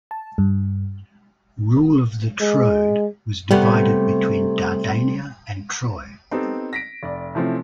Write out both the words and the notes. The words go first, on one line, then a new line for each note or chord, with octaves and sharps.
Rule of the Troad was divided between Dardania and Troy.
A5
G2
G#3
C3 G3 A3 B3
B3 C4 D#4 G4 A4
A#6 B6 D7
F1 D5
C3 E3 F3 A3 C4 C#4